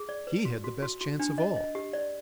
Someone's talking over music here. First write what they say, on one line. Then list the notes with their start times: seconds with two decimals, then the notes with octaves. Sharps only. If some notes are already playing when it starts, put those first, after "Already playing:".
He had the best chance of all.
Already playing: G#4
0.09 D5
0.27 B4
0.45 F#4
0.64 F#4
0.82 F#4
1.01 F#4
1.20 D4
1.38 D#5
1.56 D#5
1.75 G4
1.93 D5